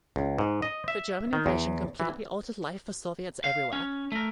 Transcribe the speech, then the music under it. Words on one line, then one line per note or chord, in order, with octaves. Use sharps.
The German invasion completely altered life for Soviets everywhere.
C#2
G#2
D#5
E5
D#3
E2
E3
F5
C#4
A3 A#4